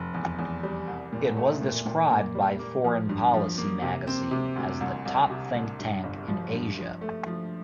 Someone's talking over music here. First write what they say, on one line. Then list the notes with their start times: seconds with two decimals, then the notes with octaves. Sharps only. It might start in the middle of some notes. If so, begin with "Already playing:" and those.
It was described by "Foreign Policy" magazine as the top think tank in Asia.
Already playing: F1
0.14 E2
0.38 E2
0.63 G3
0.88 C2
1.12 A#2
1.37 A3
1.61 A#2
1.86 A#2
2.11 A#3
2.35 G3
2.59 A#3
2.84 F3
3.09 G2
3.34 F3
3.58 A#3
3.82 C3
4.07 C4
4.31 C3
4.56 D2
4.81 C2
5.05 C2
5.30 C3
5.54 C2
5.79 G2
6.03 G1
6.28 F3
6.53 G2
6.77 F3
7.01 A3
7.27 F3